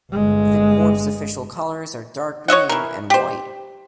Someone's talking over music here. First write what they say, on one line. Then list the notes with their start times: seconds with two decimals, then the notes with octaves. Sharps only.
The corps official colors are dark green and white.
0.12 G1 G#3
2.48 C#5 D#5 E5 F#5
2.69 E3 A#4
3.10 G4 C5